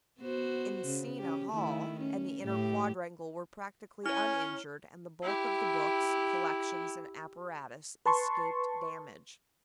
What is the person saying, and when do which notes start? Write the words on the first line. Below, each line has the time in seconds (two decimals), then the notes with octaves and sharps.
Encina Hall and the inner quadrangle were practically uninjured, and the bulk of the books, collections and apparatus escaped damage.
0.21 B3 F#4 C5
0.85 C#3
1.17 C#4 G4
1.51 D#3 A3 E4
2.01 C#4
2.42 A2 G4
4.06 C#4 E4 C#5 G#5 F6
5.23 E4 G4
8.06 B4 A5 C6 C#6